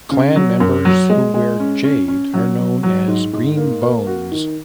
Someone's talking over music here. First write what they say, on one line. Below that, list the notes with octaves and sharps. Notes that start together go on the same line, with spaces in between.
Clan members who wear jade are known as Green Bones.
C#3
F#3
F#2
F#3
G#3
G#3
C#4
C#4
C#4
F#3
F#3
F#3
G#2
G#2
A#3
A#3
F#4
D#3